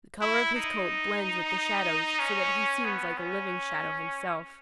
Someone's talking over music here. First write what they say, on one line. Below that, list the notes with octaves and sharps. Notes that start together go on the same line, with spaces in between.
The color of his coat blends with the shadows so that he seems like a living shadow himself.
E4
D#4
C#4
B3
C#4